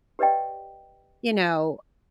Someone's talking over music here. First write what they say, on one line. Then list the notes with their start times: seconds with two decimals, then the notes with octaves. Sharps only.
you know
0.19 G4 B4 D5 D#5 G5